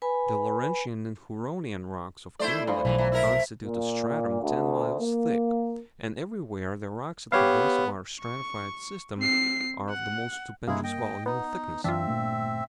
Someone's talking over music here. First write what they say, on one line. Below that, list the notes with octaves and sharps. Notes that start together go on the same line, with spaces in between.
The Laurentian and Huronian rocks of Canada constitute a stratum ten miles thick; and everywhere the rocks at the base of our stratified system are of the most stupendous volume and thickness.
B4 G#5 B5
A3 E4 C5 D5
G2 F3 B5 C6
B1 E2 C#3 E3
E3 A#5
E4 A#4 E5
A#2
D2
A#3
B3 G4 C#5 F5
C#6
C4 C7
F#5
G2 G#3 A#3 E4 G#4
D#5 G5
B3 D#4
F#2 E3 C4 D4 F4 E5
G1 A#2 A3